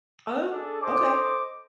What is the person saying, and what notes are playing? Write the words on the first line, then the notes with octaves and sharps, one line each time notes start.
Oh, okay.
D4 G#4 A4
A4 C5 D#5 D6